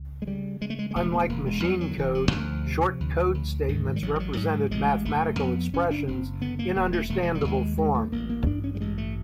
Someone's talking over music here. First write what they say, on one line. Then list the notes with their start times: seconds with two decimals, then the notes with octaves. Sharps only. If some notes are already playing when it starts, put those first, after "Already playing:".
Unlike machine code, Short Code statements represented mathematical expressions in understandable form.
Already playing: C#2
0.22 G#3
0.27 C#3 G3
0.61 C#3 G#3
0.70 A3
0.79 G#3
0.91 G#3
0.96 E1 A3
1.13 A#3
1.29 E1 A#3
1.46 G#3
1.64 E2 G3
1.81 F#3
1.91 D#3
1.98 E1 E3
2.15 F3
2.32 D2
2.67 C3
3.00 D2
3.34 D2
3.68 G#2 D#3
3.86 D#3
3.96 G3
4.02 A1 F#3
4.15 G3
4.20 F#3
4.37 G#2 F#3
4.71 A1 G#3
5.05 F#1 A3
5.39 F2 B3
5.73 F#1 C#4
5.91 D4
6.08 F#1 C4
6.41 D3 B3
6.59 A#3
6.76 E1 A#3
6.93 A3
7.10 E1 A3
7.22 G#3
7.35 G3
7.44 D#2 G#3
7.78 G2 G#3
7.95 A3
8.12 A1 A#3
8.30 A#3
8.46 G2 D4
8.64 C#4
8.75 G3
8.81 A1 G#3
8.98 A3